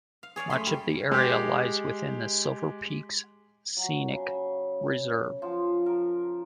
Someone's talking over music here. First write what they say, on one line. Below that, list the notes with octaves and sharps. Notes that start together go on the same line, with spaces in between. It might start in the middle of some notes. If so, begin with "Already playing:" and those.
Much of the area lies within the Silverpeaks Scenic Reserve.
F5
G#4 C#5 D5 F5
F#2 A3 G#4 B5 C6
G3
G#3 G4
F#3
C#3
F3
A#4